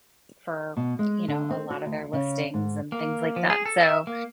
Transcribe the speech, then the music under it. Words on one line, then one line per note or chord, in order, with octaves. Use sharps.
for, you know, a lot of their listings and things like that. So,
B2
G#3
D3
C4
F#4
D2
C#3
G#2
A#3
F3
G#4
A4
E5
A#3